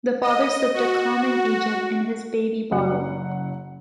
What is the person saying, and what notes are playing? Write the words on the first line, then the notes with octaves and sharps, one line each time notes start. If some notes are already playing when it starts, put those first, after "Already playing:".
The father slipped a calming agent in his baby bottle.
D#5
F#4
F#1 F#3 F#5